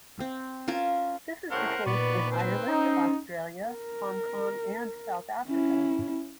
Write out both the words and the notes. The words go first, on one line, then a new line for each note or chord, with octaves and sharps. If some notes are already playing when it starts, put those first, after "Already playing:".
This is the case in Ireland, Australia, Hong Kong and South Africa.
C4
C#4 F4 A#4 A5
C2 A2 C#3 A#4 C5 F#5
A#2 D#3 B3 B4 D5 C#6
C4 C5
C#4 D#4
A#4
C#4 E4